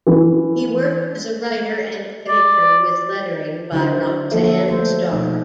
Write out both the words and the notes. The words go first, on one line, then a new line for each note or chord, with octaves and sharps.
He worked as writer and editor with lettering by Roxanne Starr.
E3
D5
D3 F#3 D4 E4 F#4 C5
F3 F#3 A#3 F#4 A4 E5
A3 C5
B2 F3 D#4